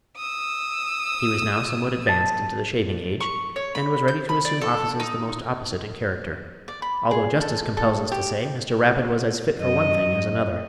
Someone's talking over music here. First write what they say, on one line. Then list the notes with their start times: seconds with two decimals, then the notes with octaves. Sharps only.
He was now somewhat advanced into the shaving age, and was ready to assume offices the most opposite in character; although justice compels us to say Mr. Rapid was as fit for one thing as another.
0.17 D#6 E6
2.07 A5 A6
3.20 C#6
3.56 C#5
3.75 B5
4.08 G6
4.29 B5
4.45 D5
4.62 A4
5.00 D#4
6.68 D5
6.82 B5
7.11 G#4
7.41 A4
7.77 A4
8.12 G4
9.56 F#2 D#5